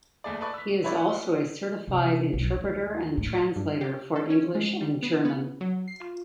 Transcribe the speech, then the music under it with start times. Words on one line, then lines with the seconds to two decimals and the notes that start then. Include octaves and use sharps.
He is also a certified interpreter and translator for English and German.
0.24 F#1 D#2 A3 G#4 D5
0.41 A4 B4 D5 C#6 F#6
0.54 E6 B6
0.68 D#7
0.84 E4 G4 B4 C#5 D5 E5
0.97 F#5
1.88 C3
2.33 B1
2.55 D#2
3.17 A2
3.56 G2
3.81 G4
4.16 A4
4.30 C#4
4.55 G#3
4.81 G3
5.02 B3
5.25 B3
5.61 F#3
5.88 C7
6.00 F4